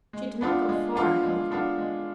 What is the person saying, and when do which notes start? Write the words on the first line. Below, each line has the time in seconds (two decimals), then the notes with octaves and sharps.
She did not go far, however.
0.13 G#3
0.41 B3 D4 F4
0.69 G#3
0.96 B3 D4 F4
1.23 G#3
1.51 B3 D4 F4
1.78 G#3